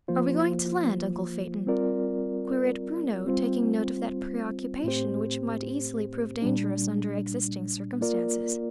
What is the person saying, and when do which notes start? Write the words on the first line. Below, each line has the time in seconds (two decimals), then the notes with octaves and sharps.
"Are we going to land, uncle Phaeton?" queried Bruno, taking note of that preoccupation, which might easily prove dangerous under existing circumstances.
0.08 F3 A#3 F4 C5
1.66 G3 C4 F4 A#4 D5
3.25 G3 C4 F4 C5
4.84 A2 A3 C4 G4 C5
6.42 A#2 G3 D4
8.01 A#3 F4 A#4 D5